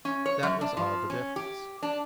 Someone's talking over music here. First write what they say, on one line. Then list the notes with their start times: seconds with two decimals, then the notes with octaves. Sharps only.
That was all the difference.
0.05 C#4
0.26 C#5
0.43 F#2
0.61 D4
0.77 F3
1.10 C#4
1.36 G4
1.83 D4